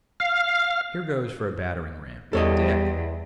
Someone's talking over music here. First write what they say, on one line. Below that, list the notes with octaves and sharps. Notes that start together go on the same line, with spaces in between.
Here goes for a battering-ram, Dick!'
F5
E2 G3 A4 C#5 D#5